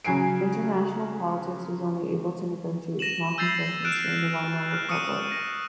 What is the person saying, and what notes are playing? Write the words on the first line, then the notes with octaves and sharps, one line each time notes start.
International politics was only able to negotiate small concessions during the Weimar Republic.
C#3 F#3 G#5 C7 D7
A#6 D#7 E7 F#7
E6 G6 A6 C7 F7
F6 F#6 D7 E7
F6 F#6
C#6 D#6 F6 C#7 D#7
A#6